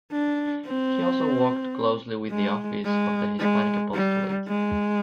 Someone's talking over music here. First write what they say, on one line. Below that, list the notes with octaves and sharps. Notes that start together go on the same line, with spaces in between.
He also worked closely with the Office of the Hispanic Apostolate.
D4
C4
G#3
G#3
G#3
G3
G#3